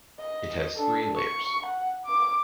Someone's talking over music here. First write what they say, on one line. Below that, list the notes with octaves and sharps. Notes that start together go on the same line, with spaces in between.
It has three layers.
D#5
D4 A4
C#6
F#5
D6